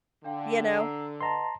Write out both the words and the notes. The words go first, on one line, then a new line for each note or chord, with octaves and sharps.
you know?
D3 D4 F5 G5
A#5 E6 C7
B4 D#5 F#5 A5 A#5 C6